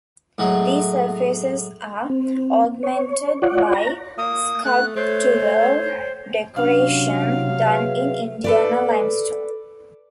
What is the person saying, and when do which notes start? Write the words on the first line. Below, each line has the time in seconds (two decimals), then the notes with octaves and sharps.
These surfaces are augmented by sculptural decoration done in Indiana limestone.
0.38 A2 F#3 G#3
2.10 C4
2.83 C#5
3.42 F4 C#5 D5 F#5
3.74 A#5
4.18 A#3 D#6
4.65 A3 F#6
4.95 A3 C5 C#5
6.56 C3 F#3 C#4 D4 F5
7.65 G#4 B4 E5
8.44 A4 B4 D5